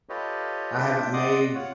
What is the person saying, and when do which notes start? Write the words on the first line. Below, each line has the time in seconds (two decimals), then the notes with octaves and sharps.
I haven't made
0.09 F4 G4 A4 B4 C#5 D#5
0.78 D4 F4 E5 G5
1.13 D5 D#5 F#5 C6 D6 D#6
1.55 F4 C#5 F#5